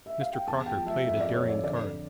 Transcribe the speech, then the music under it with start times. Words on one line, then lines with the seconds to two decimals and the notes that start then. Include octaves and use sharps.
Mr. Crocker played a daring card.
0.06 E5
0.21 F5
0.33 G5
0.47 E2 A5
0.66 G5
0.77 F3
0.86 E5
1.05 F2 E5
1.20 D5
1.34 F2 C#5
1.49 D5
1.63 D3 D5